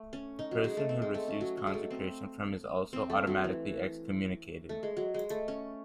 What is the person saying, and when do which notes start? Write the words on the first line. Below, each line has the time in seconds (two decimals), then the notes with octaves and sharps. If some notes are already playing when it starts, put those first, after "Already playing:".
The person who receives consecration from him is also automatically excommunicated.
Already playing: A3
0.13 C#4
0.39 D#4
0.51 F#3
0.64 G#3
0.77 A3
0.89 C4
1.02 G#3
1.15 A3
1.28 C#4
1.41 F#3
1.57 F#3
1.67 G#3
1.74 A3
1.90 C4
2.93 C4
3.10 A3
3.27 F#3
3.44 E3
4.69 A3
4.83 G#3
4.97 F#3
5.14 G#3
5.30 A3
5.48 C#4